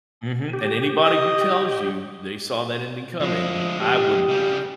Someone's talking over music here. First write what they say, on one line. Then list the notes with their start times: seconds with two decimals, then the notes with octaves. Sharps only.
Mhm, and anybody who tells you they saw that ending coming, I wouldn't believe 'em
0.53 G4
1.05 D#5
3.20 D2 F3 G#3
3.81 G4
4.29 C#3 G3